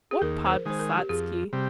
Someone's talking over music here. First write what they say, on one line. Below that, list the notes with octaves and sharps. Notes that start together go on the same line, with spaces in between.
"What Podvysotsky?"
G#4
D#2 A#4
C5
A#4
D#3 G#3 C5
A#4
G4
F2 G#4
C3 G3